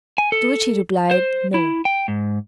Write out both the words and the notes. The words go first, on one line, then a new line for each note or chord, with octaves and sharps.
To which he replied, "No."
G#5
A4
C5
E4
G5
G#2